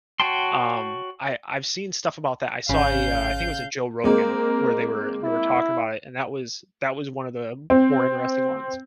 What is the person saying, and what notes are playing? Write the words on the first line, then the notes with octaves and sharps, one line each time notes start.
um, I I've seen stuff about that. I saw a, uh, I think it was a Joe Rogan where they were they were talking about it, and that was that was one of the more interesting ones.
F#4 C#5 G5 A5 C6
G#1 C#3 F5 G6
G#3 A#3 C4 A#4
E4
C4